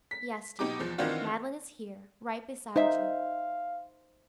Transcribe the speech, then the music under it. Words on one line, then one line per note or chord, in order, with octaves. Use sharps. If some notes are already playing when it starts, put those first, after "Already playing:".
Yes, darling, Mad'len is here--right beside you.
B6
B2 D#4 G4 D6
E2 F3
D#3 E3 C4 D4 F4 F#4
D#4 C5 E5 F5